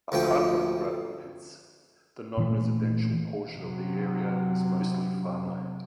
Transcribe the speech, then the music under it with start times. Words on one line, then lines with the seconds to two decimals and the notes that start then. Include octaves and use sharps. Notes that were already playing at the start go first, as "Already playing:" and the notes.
Apart from the gravel pits, the non-residential portion of the area is mostly farmland.
0.12 D2 F3 A3 G5
2.37 A#2 E3 A3
3.54 C3 F#3